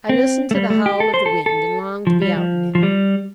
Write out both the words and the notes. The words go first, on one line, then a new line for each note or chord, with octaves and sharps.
I listened to the howl of the wind, and longed to be out in it.
C4
A3
G3
A3
G4
A4
C5
A4
A4
F3
G3
F3
F3
G3